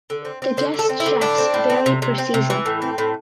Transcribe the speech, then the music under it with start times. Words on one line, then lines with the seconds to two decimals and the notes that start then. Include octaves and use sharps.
The guest chefs vary per season.
0.10 D3
0.25 C4
0.42 C4
0.57 D3 C5
0.74 D3
0.79 A4
0.89 C4
1.00 E4
1.06 D3
1.21 A2 D4
1.38 C4
1.54 A2
1.70 C4
1.86 C3
2.02 C3
2.18 C4
2.34 C3
2.50 E3
2.66 A2
2.82 C4
2.98 A2